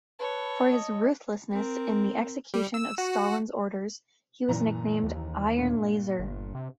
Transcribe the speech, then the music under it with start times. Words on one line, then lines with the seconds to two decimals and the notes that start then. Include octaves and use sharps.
For his ruthlessness in the execution of Stalin's orders, he was nicknamed "Iron Lazar".
0.19 A4 B4 C#5
0.71 D#5
1.52 C4 A#4
2.54 G3
2.74 E6
2.98 F#4
4.49 F#1 A#2 E3 A#5
5.04 D#2
5.56 G2 A#2
6.19 G1
6.55 C3